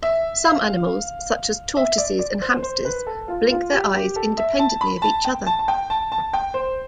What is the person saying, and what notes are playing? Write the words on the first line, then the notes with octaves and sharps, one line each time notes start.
Some animals, such as tortoises and hamsters, blink their eyes independently of each other.
E5
F5
E5
D5
D5
C5
C5
B4
A4
F4
F4
G4
G4
A4
E5
A5
B5
A5
G5
A5
A5
G5
A5
A5
G5
C5